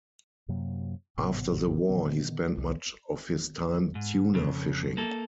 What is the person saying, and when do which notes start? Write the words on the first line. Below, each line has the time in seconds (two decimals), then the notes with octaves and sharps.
After the war he spent much of his time tuna fishing.
0.48 F#2 C3 F#3 A#3
1.17 G#1 A2 C3 B3
1.89 A#2 D3 D#3 B3
2.57 C2
3.95 G#2
4.34 F2 C#3
4.97 A#3 A4